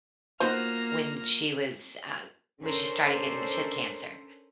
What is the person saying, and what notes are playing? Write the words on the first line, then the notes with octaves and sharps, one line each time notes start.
when she was, um when she started getting she had cancer,
A#3 B3 D#4 F4 F#4 C5 F6 A#6
C#4 D4 A4 A#4 C5